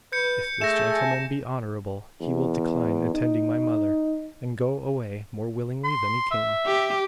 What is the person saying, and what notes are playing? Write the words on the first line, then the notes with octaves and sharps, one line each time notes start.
If this gentleman be honourable, he will decline attending my mother, and go away more willingly than he came.
B4 G6 C#7
A3 G#4 E5 G#5 A5 A#6 E7
E2
D#4
C6
E5
G4